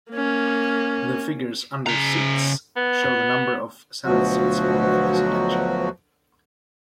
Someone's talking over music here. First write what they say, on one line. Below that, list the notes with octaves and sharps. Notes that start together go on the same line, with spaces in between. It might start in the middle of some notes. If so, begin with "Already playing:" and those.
The figures under "Seats" show the number of Senate seats won at this election.
A#3 C#4
C#3 A#5
B3
D2 B2 F3 F#3 F#4